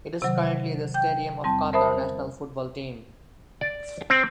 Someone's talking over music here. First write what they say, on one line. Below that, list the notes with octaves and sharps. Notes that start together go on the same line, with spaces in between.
It is currently the stadium of Qatar national football team.
C3 D#3 F#3
G5 G6
E2 G3 C4 A5
A#4 C5 E5 A5 B5 D#6
D5
C4